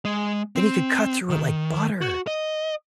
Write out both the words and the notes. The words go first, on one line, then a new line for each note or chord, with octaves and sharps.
Then he could cut through it like butter.
G#3
C4
D#3
F#4
D#5